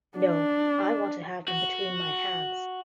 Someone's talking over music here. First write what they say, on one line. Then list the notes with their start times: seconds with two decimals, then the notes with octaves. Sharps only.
No; I want to have them between my hands.
0.18 D4
1.48 F#4